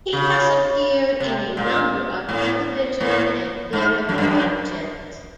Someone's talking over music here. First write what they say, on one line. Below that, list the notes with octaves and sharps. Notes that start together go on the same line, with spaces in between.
He has appeared in a number of television and theatre productions.
C#3
C3
A#2
A2
A2
G#2
F#2
G2
F#2